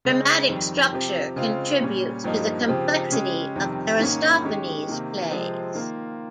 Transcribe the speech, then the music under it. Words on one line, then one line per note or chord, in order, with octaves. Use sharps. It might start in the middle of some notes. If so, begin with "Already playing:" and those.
Dramatic structure contributes to the complexity of Aristophanes' plays.
C#3 G#3 C4
F2 D#3 G3
C3 F3 C4 G4
C#3 G#3 C4 F4
A#2 G3 C#4
G2 F3 A#3 D#4
C#3 F3 C4 G4
C#3 G#3 C#4 G4
F2 C3 D#3 G3
G#2 D#3 A#3 C#4
D#3 G#3 C#4 G4
C3 D#3 A#3
C3 F3 G#3 C4
D#3 A#3 F4